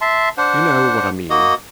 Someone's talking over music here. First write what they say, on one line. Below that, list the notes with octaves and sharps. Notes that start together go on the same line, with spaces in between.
You know what I mean.
E5 A5 C6
D4 C5 F#5
A#3 F#4 D#5